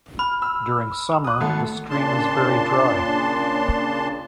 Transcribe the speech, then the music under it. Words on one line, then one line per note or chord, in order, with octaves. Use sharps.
During summer, the stream is very dry.
B5 F6
E6
D#6 F#6
G#1 A3 A5
A#2 C#3 D4 A5 C6